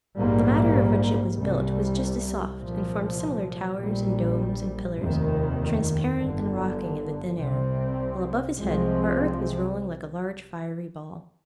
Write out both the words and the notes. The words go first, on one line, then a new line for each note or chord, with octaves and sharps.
The matter of which it was built was just as soft, and formed similar towers, and domes, and pillars, transparent and rocking in the thin air; while above his head our earth was rolling like a large fiery ball.
A#1 G#2 G3 A#3
C2 C3 G3
C2 A#2 F3
A#1 A#2 G3
F1 D#2 D#3
G1 G2 D3
C2 C3 G3 C4
C2 C3 F3 G#3 C4